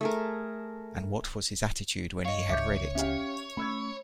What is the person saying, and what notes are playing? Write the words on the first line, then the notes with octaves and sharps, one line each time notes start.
And what was his attitude when he had read it?
A3 G#4 A#4
C#5 D#5 F5
C#2 E5 D6 G6
C#4 G4 E5 F5
A3 C#4 B5 E6 G#6